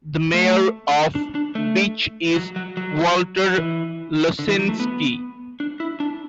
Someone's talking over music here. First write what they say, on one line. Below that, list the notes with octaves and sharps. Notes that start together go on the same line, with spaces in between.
The mayor of Beach is Walter Losinski.
A3
D4
D4
A3
F#3
F#3
F#3
E3
D3
E3
F#3
A3
B3
D4
E4
D4